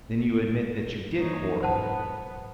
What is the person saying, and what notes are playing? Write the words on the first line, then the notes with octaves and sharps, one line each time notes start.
"Then you admit that you did quarrel?"
E3 G3 A#3 D#4 C#5
B1 G#2 F#3 B3 C5 F#5 A5